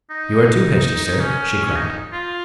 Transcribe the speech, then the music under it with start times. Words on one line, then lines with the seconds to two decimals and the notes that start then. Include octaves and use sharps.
"You are too hasty, sir," she cried.
0.11 D#4
1.21 C#4
1.66 C#4
1.76 D#4
2.13 F4